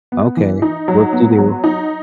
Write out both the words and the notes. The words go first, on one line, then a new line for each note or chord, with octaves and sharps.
"Okay, whoop-de-doo."
B3
E3
D#4
F#3
B3
F#3
D#4